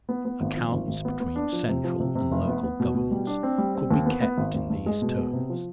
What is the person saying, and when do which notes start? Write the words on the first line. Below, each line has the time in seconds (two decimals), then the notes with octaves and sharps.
Accounts between central and local governments could be kept in these terms.
0.09 B3
0.25 B3
0.41 G#1
0.57 F3
0.72 G#1
0.88 G#1
1.05 B3
1.20 B3
1.36 D4
1.52 F3
1.68 C3
1.84 F3
2.00 C3
2.15 C3
2.31 F1
2.48 B3
2.63 B3
2.80 B2
2.95 B2
3.11 G3
3.27 D4
3.43 C4
3.58 G3
3.75 C4
3.91 D#2
4.06 B3
4.22 B3
4.38 G#1
4.55 G#1
4.70 G2
4.86 G#3
5.02 B2
5.18 B3
5.33 C3
5.50 F3